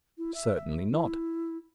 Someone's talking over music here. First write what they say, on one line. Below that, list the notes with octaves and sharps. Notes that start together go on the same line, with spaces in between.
Certainly not.
E4
E5
E5
E4